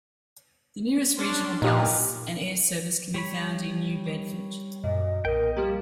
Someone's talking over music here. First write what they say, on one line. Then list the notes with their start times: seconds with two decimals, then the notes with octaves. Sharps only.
The nearest regional bus and air service can be found in New Bedford.
1.18 C#4 D4 C6
1.62 A#2 D#4 G4 A#4 B4
3.14 G3 C#5 B5
4.84 F#2 A#2 D#5
5.25 B1 A#2 A#4 D#5 G5
5.56 F3 G3 A#3 G4